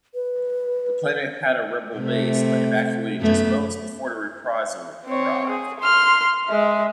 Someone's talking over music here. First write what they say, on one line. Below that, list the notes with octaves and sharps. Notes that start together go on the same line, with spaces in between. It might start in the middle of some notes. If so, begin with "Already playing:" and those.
The planet had a rebel base, but evacuated just moments before the "Reprisal" arrived.
B4
C3 A3
F#2 A3 B3
C4 C#5
G#4
C6 F6
G#3 E5